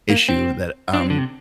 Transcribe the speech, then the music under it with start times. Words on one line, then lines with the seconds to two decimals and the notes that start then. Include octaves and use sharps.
issue that, um
0.10 A#3
0.29 C4
0.93 D4
1.00 C4
1.10 D3
1.18 C3